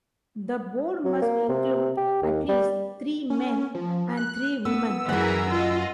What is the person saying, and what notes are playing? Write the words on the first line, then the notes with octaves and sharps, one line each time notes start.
The Board must include at least three men and three women.
F#3
A#3
C3
G4
D#2
G3
C#4
F3
F#6
B3 E6
F#2 E3 G#4 A#4 F#5
F4 F#4 D#5